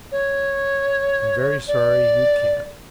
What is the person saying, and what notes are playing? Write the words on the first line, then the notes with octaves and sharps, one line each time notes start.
"I am very sorry you can't."
C#5
D5